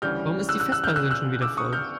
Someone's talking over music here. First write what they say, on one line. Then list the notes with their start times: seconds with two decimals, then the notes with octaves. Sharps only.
Warum ist die Festplatte denn schon wieder voll?
0.02 D2 C#3 E3 G3 F6 G6
0.49 E6 F#6
0.60 E6 F#6
0.72 E6 F#6
0.84 F6 G6
0.96 E6 F#6
1.11 E6 F#6
1.41 D6 E6
1.57 C#6 D#6
1.73 F6 G6